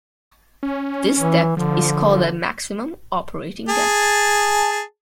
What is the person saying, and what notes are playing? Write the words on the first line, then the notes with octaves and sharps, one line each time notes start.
This depth is called the maximum operating depth.
C#4
E3
D3 F3
G#4 A5